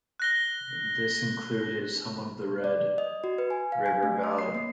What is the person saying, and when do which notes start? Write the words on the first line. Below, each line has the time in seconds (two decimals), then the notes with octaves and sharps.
This included some of the Red River Valley.
0.20 F#6 A#6 G7
2.64 D5
2.98 D#5
3.24 F#4
3.38 B4
3.50 G#5
3.72 F5
3.86 G#5
4.03 A3
4.24 D#5
4.39 C7
4.55 A#3